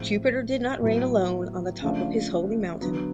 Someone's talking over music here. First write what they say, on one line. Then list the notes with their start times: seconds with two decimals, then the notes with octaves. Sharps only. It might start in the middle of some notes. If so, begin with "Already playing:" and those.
Jupiter did not reign alone on the top of his holy mountain.
Already playing: A2 F3 G#3 C4 D#4
0.82 A2 F#3 B3 E4
1.82 C#3 F3 A3 D4 F4
2.81 D3 F#3 B3